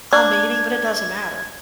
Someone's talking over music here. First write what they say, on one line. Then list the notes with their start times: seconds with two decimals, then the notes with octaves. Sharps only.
I'm meeting, but it doesn't matter.
0.13 D4 G#6